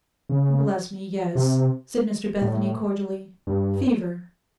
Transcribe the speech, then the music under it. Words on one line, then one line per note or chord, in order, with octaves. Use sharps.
'Bless me, yes,' said Mr Bethany cordially--'fever.
C#3
C3
A2
G2